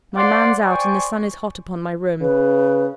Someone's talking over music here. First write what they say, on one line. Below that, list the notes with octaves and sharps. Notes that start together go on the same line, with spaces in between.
My man's out, and the sun is hot upon my room.
C5 D5 F5 F#5 C6 D6
C5 D5 G5 G#5 C#6
C#3 B4